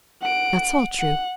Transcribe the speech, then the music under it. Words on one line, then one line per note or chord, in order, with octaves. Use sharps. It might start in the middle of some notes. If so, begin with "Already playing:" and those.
That's all true.
F#5 D7
F#5